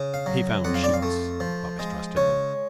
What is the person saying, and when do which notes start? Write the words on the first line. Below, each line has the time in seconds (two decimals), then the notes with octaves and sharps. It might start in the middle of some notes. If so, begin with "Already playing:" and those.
He found sheets, but mistrusted them.
Already playing: C#3
0.14 F5
0.26 F#3
0.64 F2 F#5
0.74 F5
0.84 D5
0.94 F5
1.03 A3
1.40 F3
1.79 G#3
2.17 C#3 C#5